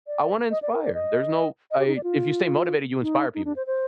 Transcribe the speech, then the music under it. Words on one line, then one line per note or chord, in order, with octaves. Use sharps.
I want to inspire. There's no I if you stay motivated, you inspire people.
D5
D#5
D5
A#4
D5
D#5
D#5
G4
D#4
D5
F4
D#4
D#4
D4
C5
C5